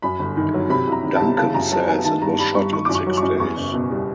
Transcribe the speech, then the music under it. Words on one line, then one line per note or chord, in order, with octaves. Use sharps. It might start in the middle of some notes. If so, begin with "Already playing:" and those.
Duncan says it was shot in six days.
F#2 B5
G1
D#3
F#3
C3 B5
C2
A#5
D#3
C2 A5
C#3 A5
F#2 A#5
F#3 A5
B3 G#5
D#3 A5
G2 A#5
G3 B5
G2 C#6
D#3 C#6
D6
F#2
C#6
F#3
C#6
F#2
E2 C#6
F#1
B2
G3